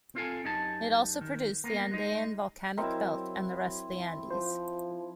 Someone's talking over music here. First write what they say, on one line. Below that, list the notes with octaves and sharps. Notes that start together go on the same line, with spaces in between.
It also produced the Andean Volcanic Belt and the rest of the Andes.
C4 F4 A4 G#5
F#2 D#4 G4 G#5 A5
D#3
A#3 B3
G#3 D#4
F#3 C4 E4 A#4 D#5
F3 C5